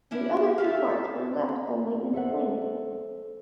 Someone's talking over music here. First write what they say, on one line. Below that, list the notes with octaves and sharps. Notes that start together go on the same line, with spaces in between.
The other two parts were left only in planning.
C#4 D4 E4
G4 A4 E5 F5
A4 C5 E5 F#5